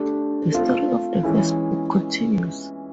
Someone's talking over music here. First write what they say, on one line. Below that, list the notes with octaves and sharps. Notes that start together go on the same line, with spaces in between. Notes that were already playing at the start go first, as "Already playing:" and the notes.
The story of the first book continues.
Already playing: A3 D4 G4
A3 C4 F4 A4
E3 G#3 C#4 E4